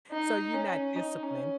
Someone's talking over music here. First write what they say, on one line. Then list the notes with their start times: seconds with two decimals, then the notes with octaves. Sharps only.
So you're not disciplined.
0.11 D#4
0.54 C#4
0.96 D#4
1.23 C#4